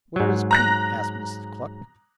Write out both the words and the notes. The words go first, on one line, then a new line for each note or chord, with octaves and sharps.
'Where is Peep?' asked Mrs. Cluck.
G#2 F#3
A#5 F#6 A#6